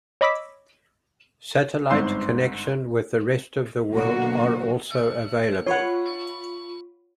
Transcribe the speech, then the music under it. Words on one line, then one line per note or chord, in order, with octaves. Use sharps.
Satellite connection with the rest of the world are also available.
C#5 D#5 B5 D6 E6 B6
G1 G#2 C4 C6 E6 C7
B2 D3 F#3 A#3 F#4
F4 C#5 F#5 B5 C#6